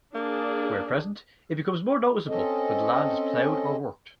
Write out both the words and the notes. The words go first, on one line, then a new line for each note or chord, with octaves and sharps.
Where present, it becomes more noticeable when the land is ploughed or worked.
A#3 D4 G#4
C4 C#4 A4 D#5